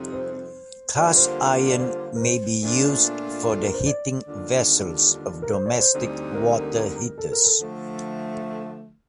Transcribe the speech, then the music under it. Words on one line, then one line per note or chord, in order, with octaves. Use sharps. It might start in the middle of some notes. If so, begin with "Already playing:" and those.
Cast iron may be used for the heating vessel of domestic water heaters.
Already playing: F2 C3 G3 C4 D#4
C5
D3 G3 A#3 F4 D5
C5
D5
C5
A#4
C5
A#2 A3 D4 F4
A4
A#4
C5
D5
D#2 D3 G3 D4 F4
A#4
C5
D5
C5
D2 D3 G3 C4 D#4
A#4
A4
A#4
A4
D3 F3 A3